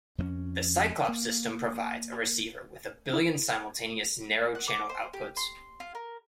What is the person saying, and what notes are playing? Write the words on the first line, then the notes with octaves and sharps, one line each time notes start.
The Cyclops system provides a receiver with a billion simultaneous narrow channel outputs.
F2 A#3 C#4
A#3
E4
F#5
D6
C5
G4
C6
F4
A#4